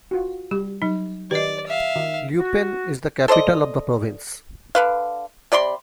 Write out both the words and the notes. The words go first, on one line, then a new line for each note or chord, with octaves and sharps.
Lupane is the capital of the province.
F4 F#4
G3 G4
F#3 D#4
D#3 G4 B4 D5 D#5
E5 F5
D#3
F#4
A4 C5 D5 D#5
D3 B4 F5
C3 D5 B5 C6